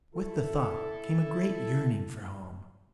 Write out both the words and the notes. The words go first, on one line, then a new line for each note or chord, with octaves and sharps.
With the thought came a great yearning for home.
E4 A4